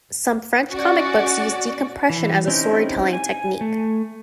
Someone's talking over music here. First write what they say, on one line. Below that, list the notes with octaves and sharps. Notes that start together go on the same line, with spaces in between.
Some French comicbooks use decompression as a storytelling technique.
C#4 F#4 D5
E3
C4 C#4 D#4 E4 G4
G#5
A3